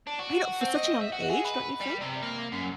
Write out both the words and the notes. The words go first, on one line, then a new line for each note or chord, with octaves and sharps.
I know for such a young age, don't you think?
D4
F#4
C4
D#5
E5
F#4
G#4
B4
G3
C3
A#3
F#2